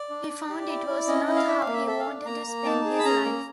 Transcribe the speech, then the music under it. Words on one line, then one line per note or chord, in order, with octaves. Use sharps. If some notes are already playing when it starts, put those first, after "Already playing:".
He found it was not how he wanted to spend his life.
Already playing: D5
D4
D4
G4
E4
E4
C#4 D#5
E4
F5
D4 E5
F5
A#3
E5
A4 E5
F5
D4
A#3 A#5
A#3
D#4 A5
G#4
B5
C#4 A#5
A#3